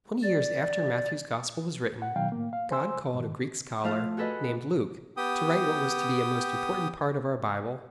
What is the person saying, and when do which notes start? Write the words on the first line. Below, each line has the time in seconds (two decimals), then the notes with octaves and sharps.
Twenty years after Matthew's Gospel was written, God called a Greek scholar, named Luke, to write what was to be a most important part of our Bible.
0.23 D5
2.02 F#5
2.16 B2 D#3 F#3 F5 G5
2.32 A2 A#3
2.53 F5
2.71 C5 G#5 C6 E6
3.15 G#2 D#3
3.84 F3 A3 F5 A5
4.17 F#4 G#4 A4 B4 D#5 F#5
5.17 B3 G4 G5 D#6